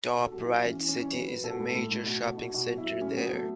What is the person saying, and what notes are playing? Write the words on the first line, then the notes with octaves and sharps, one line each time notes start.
Top Ryde City is a major shopping centre there.
B2 F#4
A4
F#3 F#4
E4
B2
E3 C#4
E3
C#4
E3 C#5
F#3 B4
F#3 B4
B2 A4
F#4
A2 A4
A2
A2
B2
B2
B2
B2 F#4
F#3
E4
F#3
A2 C#4
F#3 B3
F#3 A3